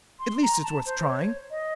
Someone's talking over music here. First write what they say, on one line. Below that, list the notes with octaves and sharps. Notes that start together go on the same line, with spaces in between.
At least it's worth trying.
C6
A#5
A5
C5
C#5
D#5